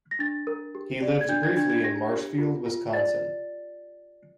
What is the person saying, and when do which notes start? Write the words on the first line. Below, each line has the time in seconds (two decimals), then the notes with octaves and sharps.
He lived briefly in Marshfield, Wisconsin.
0.11 A#6
0.19 D4 A6
0.47 A#4
0.75 G4
1.02 D5
1.21 G#6
1.29 D4 G6
1.43 G#6
1.56 D4 G#6
1.70 G#6
1.84 G4 A#6
2.12 G4
2.39 F4
2.66 F4
2.93 D5 A6